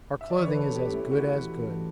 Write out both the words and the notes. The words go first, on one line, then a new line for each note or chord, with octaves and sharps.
'Our clothing is as good as good.
E5
D5
E3 C#5
B4
A4
C#4
G4
A3
E4
C#4 F#4
E3
E3